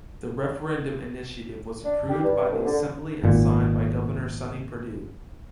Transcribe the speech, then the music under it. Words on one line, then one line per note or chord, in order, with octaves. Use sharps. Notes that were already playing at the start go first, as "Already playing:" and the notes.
The referendum initiative was approved by the Assembly and signed by Governor Sonny Perdue.
D4
G4
G2
C2
D3
G#1 A#2